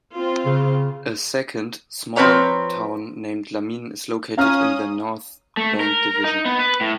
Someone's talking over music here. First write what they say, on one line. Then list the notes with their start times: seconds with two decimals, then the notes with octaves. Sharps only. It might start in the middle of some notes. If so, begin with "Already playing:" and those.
A second, small town named Lamin is located in the North Bank Division.
0.13 C4 F4
0.46 C#3
2.16 F3 C4 B4 C#5 A#5
4.37 C#4 F5 A#5 D#6 F6
5.57 A3
5.80 A#4
6.24 D#4
6.45 B3
6.59 B4
6.81 A2